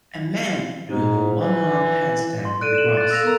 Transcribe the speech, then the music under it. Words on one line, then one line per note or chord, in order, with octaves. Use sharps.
A man doing a one armed handstand in the grass.
G#2
E3
C6
A4 D5 F#6 D7 D#7
E7 F#7
F#6 A6
A4 F5 E6 A#6 F7
B3 A#4 A#5